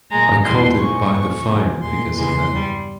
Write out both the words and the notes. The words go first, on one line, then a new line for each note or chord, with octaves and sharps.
I called it "By the Fire" because of that.
A#2 G#3 A#5
E2 E3 G3 C6
A#2 F3 G#3 C#6
A#2 F3 G#3
F2 C3 F3 G#3
A#2 G#3 C6
E2 C#3 E3 G#3 C6
G2 G3